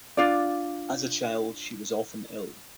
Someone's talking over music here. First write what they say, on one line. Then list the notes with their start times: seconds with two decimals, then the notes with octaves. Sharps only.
As a child, she was often ill.
0.17 D4 F4 D5